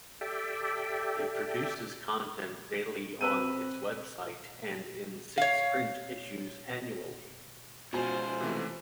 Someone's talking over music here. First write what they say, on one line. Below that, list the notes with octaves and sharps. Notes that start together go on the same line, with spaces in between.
It produces content daily on its website, and in six print issues annually.
G4 A4 D5 E5 G5
C4 B4 E6 D#7
C#5 F5
G#2 B2 F3 C5 G#5
C3 E3 A3